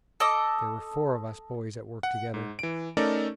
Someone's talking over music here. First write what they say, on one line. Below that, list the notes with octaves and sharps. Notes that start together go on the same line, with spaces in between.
There were four of us boys at work together.
A4 D#5 D6
F#5
G#2
E3 D7
A3 C#4 D#4 A4 A#4 D5